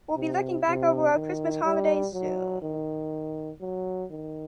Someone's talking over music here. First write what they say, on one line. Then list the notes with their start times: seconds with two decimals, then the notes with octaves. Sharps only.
We'll be looking back over our Christmas holidays soon.
0.16 C3
0.66 C3
1.15 D#3
1.64 G3
2.13 F#3
2.62 D#3
3.61 F#3
4.10 D#3